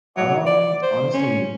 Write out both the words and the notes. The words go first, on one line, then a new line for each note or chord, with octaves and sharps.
Um, honestly
F#3
D5
C5
C#4